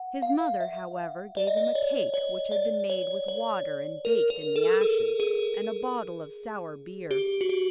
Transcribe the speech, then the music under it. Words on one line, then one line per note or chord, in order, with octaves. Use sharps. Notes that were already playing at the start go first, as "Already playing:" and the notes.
His mother, however, gave him a cake which had been made with water and baked in the ashes, and a bottle of sour beer.
Already playing: F#5
F5
E5
D5
D#5
D5
C#5
C#5
D5
C#5
C#5
A#4
A#4
A4
G#4
G#4
G4
F#4
G4